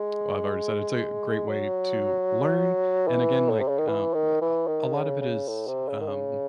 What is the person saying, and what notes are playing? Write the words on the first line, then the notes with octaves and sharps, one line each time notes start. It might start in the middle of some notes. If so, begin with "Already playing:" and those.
oh, I've already said it's a great way to learn, and again like, um, a a lot of it is, um
Already playing: G#3
F#3
E3
A2
C3
C#3
D#3
E3
D#3
E3
D#3
C#3
C#3
A2
C3
C#3
D#3
C#3